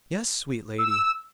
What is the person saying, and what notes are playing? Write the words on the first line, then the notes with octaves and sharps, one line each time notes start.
"Yes, sweet lady."
E6